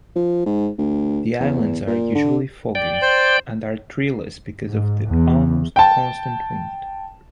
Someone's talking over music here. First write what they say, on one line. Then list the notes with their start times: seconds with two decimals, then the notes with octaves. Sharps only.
The islands are usually foggy and are treeless because of the almost constant wind.
0.16 F3
0.46 G#2
0.78 D2
1.40 E2
1.87 A#2
2.15 D3
2.75 D5 G5
3.02 C5
4.66 G#2
5.07 E2
5.76 G5 A5